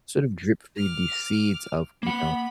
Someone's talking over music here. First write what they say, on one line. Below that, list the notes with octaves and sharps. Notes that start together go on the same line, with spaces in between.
sort of drip-feed these seeds of, you know,
D6 F6
A#3 F#5 B5